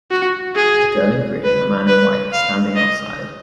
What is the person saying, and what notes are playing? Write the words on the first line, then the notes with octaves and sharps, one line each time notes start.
A girl in green and a man in white are standing outside.
F#4
G#4
B4
B4
F5
D#5